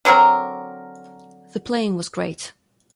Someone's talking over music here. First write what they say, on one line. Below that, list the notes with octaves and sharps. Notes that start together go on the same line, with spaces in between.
The playing was great.
D3 F#3 C4 A#4